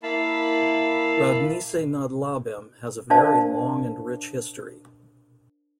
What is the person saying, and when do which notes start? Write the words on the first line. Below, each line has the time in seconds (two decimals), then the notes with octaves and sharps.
Roudnice nad Labem has a very long and rich history.
0.03 A#3 E4 F5 A5 B5
3.10 D4 A#4 C5 D5 F5 A5